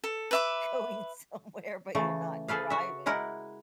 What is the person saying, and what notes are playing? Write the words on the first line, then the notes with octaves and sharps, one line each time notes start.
going somewhere, but you're not driving.
A4
B4 E5 D6
C#3 E3 A3
G#4 A4 B4 F5
F#4 E5
G#3 E4 A#4 F#5